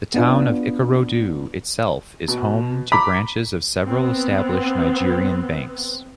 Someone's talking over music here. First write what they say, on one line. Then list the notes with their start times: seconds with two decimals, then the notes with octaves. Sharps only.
The town of Ikorodu itself is home to branches of several established Nigerian banks.
0.14 B3 D4 F4
2.28 B2
2.92 A#5 B5 D6 B6
3.85 B3 C4